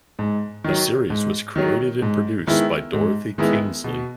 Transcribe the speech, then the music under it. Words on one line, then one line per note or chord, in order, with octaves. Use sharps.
The series was created and produced by Dorothy Kingsley.
G#2
D#3 F#3
G#2
D#3 F#3
G#2
D#3 G#3 B3 E4
G#2
D#3 G#3 B3 E4
B2